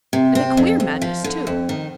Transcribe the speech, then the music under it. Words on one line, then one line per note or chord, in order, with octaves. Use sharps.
And a queer madness, too.
C3
C4
F2
F2
F3
D3
F2
D#3